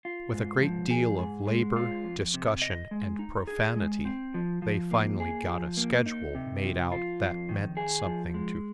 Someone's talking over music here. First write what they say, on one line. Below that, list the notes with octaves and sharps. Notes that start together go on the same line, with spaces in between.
With a great deal of labor, discussion, and profanity they finally got a schedule made out that meant something to Hugh.
F4
G#2
F3
G#4
G#2
G#3
F4
F2
C3
D#5
G#3
D#4
G#4
G#3
C4
F3
F3
A#3
G#4
F3
A#3
D#4
C3
F3
F4
F2
D#3
G#4
F3
G#3